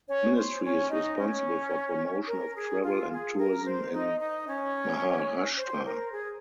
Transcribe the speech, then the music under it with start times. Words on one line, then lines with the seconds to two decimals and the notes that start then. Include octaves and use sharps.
Ministry is responsible for promotion of travel and tourism in Maharashtra.
0.08 C#4 C#5
0.35 C5
0.62 C#4 C#5
0.90 D#4 D#5
1.17 C#4 C#5
2.27 A#4
2.55 G#4
2.82 F4
3.10 G#4
3.37 A#4
3.65 C5
3.92 D#4 D#5
4.19 D#4 D#5
4.47 C#4 C#5
5.57 C5
5.85 A#4
6.12 G#4